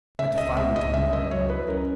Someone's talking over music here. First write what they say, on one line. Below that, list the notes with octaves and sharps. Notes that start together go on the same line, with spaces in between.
"I defy you to ignore it, my lord."
C#3 E5
C#2 D#5
G#3 E5
C#2 D#5
C#3 E5
C#2 D#5
F#3 C#5
E4 B4
C#4 A#4